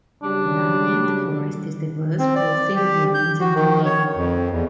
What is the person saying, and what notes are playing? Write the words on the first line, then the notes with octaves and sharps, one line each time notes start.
The land within the forest is diverse, both in appearance and terrain.
C#3 F#3 G3 D4
C4
D5
G4
G6
F#4
D#3
C#5
F2
E2